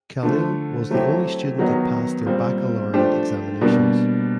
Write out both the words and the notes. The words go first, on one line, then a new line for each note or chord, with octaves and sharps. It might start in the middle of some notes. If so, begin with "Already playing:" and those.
Khalil was the only student that passed their baccalaureate examinations.
D3 F3 A3
F#3 A3 C4 E4 G4
D#3 F#3 B3 D#4
A#2 G3 C4
F3 A3 D4 G4 C5
B2 G3 A#3 D4